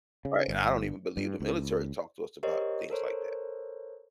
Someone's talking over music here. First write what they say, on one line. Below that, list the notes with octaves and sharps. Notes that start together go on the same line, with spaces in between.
right? And I don't even believe the military talked to us about things like that
C#3
G1
G2
C#2
G4 A#4 C5 C#5 D#5
A4 A#4 C5 C#5